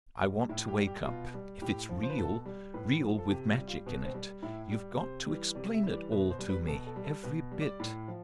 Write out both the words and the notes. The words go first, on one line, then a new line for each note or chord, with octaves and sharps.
I want to wake up. If it's real--real, with magic in it--you've got to explain it all to me--every bit.
G3
A2 E4
G4
G3
G4
B2 F4
G3
A2 G4
F3
C5
B4
B2 A4
G3
A2 B4
F3
A4
C3 G4
F4
G3
F4
B2 B3
C4
G3
A2 E4
G3
C3 C5
E3 G3
C3 D5
E5
E3 G3
D5
B2 B4
C5
G3
B4
B2 A4
A4
G3
A4
B2 B4
G3
D5
A2
F3